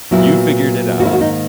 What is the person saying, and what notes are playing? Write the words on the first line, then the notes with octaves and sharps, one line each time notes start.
you figured it out,
A#2 F#3 B3 E4
G#2 D#3 A#3 F#4
E4
F#4
D#4